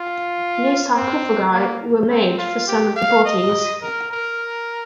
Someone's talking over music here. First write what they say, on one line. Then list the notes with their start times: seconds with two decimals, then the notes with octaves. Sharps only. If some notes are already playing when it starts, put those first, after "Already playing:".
New sarcophagi were made for some of the bodies.
Already playing: F4
0.95 C4
1.52 A#3
2.10 C4
2.38 F4
2.68 G4
2.96 F5
3.25 D#5
3.82 A#4
4.12 A#4